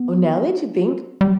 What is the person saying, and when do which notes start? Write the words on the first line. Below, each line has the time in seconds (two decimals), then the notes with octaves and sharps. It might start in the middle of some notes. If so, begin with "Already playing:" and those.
Oh, now that you think,
Already playing: B3
1.21 G3